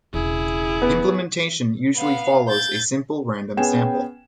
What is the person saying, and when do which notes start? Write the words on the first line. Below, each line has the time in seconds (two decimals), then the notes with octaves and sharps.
Implementation usually follows a simple random sample.
0.14 E1 C#3 E4 G#4
0.82 B3
1.97 B3 F5
2.49 G6 A6
3.57 B3 C#4 G#4 G5 G#5 E7